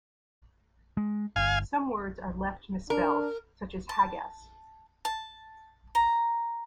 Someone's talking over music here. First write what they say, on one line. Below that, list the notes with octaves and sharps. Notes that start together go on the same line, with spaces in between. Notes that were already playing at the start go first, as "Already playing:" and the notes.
Some words are left misspelled, such as "haggas".
G#3
G1 F5 G#5
D4 A#4
A5
A5
A#5